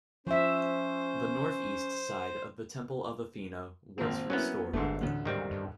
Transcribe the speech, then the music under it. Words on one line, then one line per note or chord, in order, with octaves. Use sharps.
The north-east side of the Temple of Athena was restored.
F3 C#4 C5 E5
G#1 A#2 C4
F#3 A#3 B3 C#4 E4
G1 G#2 D3 A3
A1 D2
G#2 D#3 G3 C4
G2